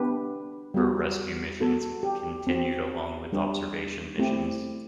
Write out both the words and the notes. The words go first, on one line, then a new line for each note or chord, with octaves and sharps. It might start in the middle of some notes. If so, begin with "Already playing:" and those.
Her rescue missions continued along with observation missions.
Already playing: B3 D4 G4 B4
G3 B3 F#4
B3 F#4 A4
G4
C4 F#4
G3 D4 G4
A3 C4 E4 G4